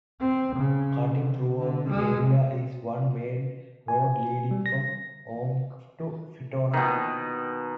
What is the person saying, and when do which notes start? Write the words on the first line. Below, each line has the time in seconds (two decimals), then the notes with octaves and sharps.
Cutting through the area is one main road leading from Omagh to Fintona.
0.20 C4
0.56 C#3
1.07 C3
1.55 D3
1.90 G#3
2.26 C3
3.88 G#5
4.51 G3
4.66 A#6
6.73 B2 D#3